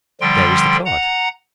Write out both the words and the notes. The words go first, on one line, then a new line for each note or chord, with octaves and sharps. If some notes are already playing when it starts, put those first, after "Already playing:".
There is the card.
D3 F3 G3 G5 C6
F#5 A#5